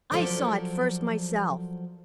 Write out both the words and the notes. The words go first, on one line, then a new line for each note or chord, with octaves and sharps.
I saw it first myself.
F3 F#3 A4 A#4 C5 D5